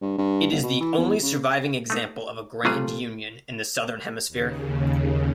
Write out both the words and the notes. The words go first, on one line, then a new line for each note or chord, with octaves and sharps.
It is the only surviving example of a grand union in the southern hemisphere.
G2
G2
G1
B2
E3
E2
C#3
A3 D#4
C3 F#3 G3 A3 F4 G#4
D#2 C#3